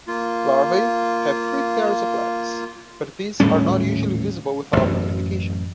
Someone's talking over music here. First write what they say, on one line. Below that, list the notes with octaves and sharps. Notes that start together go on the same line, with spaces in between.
Larvae have three pairs of legs, but these are not usually visible without magnification.
A#3 F4
D#1 A2 G3 C#4
A1 F#2